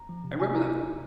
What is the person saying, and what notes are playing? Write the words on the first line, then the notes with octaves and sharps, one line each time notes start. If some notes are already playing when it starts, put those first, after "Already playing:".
I remember the
Already playing: A#5
F3
C3
C3 G#5
C3 A#5